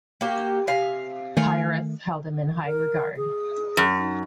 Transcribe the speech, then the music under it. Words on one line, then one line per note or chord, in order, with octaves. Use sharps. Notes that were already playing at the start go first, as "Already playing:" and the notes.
Pyrrhus held him in high regard.
A#3 F#4 G4
C3 F5 G#5
D#3 A3 F5 G#5
D#3
A#4
G#4
F#2
D#4